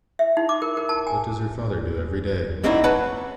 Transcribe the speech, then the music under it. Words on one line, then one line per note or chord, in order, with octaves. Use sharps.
What does your father do every day?
E5
D#4
D6
A#4
A#4
A5
G#5
F#2 A#2 C4 C#4 D#4 E4
B4 C#5 F#5 A5 B5